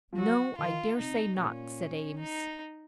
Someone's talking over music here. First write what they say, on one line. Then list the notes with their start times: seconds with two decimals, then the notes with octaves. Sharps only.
"No; I dare say not," said Eames.
0.13 F3
0.18 F#3 F#4
0.58 D#3 F4
0.98 C3 D#4
1.38 A#2 C#4
2.19 D#4